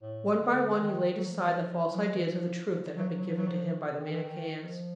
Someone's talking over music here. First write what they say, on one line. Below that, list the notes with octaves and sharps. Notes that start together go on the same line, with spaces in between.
One by one he laid aside the false ideas of the truth that had been given to him by the Manicheans.
A2
D3
D#3
F#3
F3
F3
E3
F3
F#3
E3
F3
F3
F#3
F3
F#3
F3
F#3
F3
D#3
E3
D#3
F3